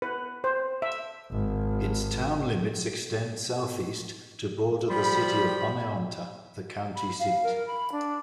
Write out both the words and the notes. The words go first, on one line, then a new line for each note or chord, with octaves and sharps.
Its town limits extend southeast to border the city of Oneonta, the county seat.
B4
C5
E5
G#1
F3 G3 B5
B5
F5
A#4
B5
D4